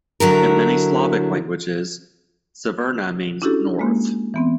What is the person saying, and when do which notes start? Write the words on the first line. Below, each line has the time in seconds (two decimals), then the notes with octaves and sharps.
In many Slavic languages, Severna means "north".
0.20 D3 F#3 E4 A#4
3.42 C#4 D4 E4 F#4 G4 A4
3.79 G#3 A#3
4.34 E3 B3 C4